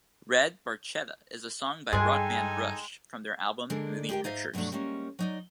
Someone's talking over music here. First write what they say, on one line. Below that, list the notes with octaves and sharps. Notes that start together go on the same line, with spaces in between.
"Red Barchetta" is a song by rock band Rush from their album "Moving Pictures".
G2 G#3 D#4 G#4 A4 G5 G#5
D3 G#3 A#3 D4
G#3 G4 A#4 G5
G#2 D#4 E5 F5
G2 B2 F#3 A3 D4
G3 G#3 A#3 C#4
F#3 D#4 D5